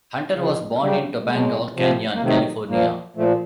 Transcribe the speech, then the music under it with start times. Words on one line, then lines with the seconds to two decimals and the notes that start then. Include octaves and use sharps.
Hunter was born in Topanga Canyon, California.
0.34 C#3 F3
0.81 C#3 F#3 G3
1.24 A3
1.29 B2 F#3 G#3
1.75 C3 F3
2.15 A#3
2.22 C3 D#3 F#3 A3
2.69 A#2 F3 A#3
3.16 A#2 F3 A3